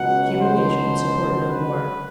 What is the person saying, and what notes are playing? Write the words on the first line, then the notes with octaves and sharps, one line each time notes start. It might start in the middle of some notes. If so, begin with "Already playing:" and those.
Human nature could support no more.
Already playing: C#2 B2 F#3 F#5
C5
B4